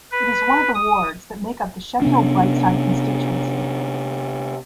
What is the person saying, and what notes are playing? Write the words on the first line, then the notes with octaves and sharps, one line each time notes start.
It is one of the wards that make up the Sheffield Brightside constituency.
B4
D#6
C3 B3 C#4 D4